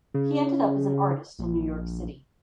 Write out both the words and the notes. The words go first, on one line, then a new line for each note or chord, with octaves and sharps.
He ended up as an artist in New York City.
C#3
A#1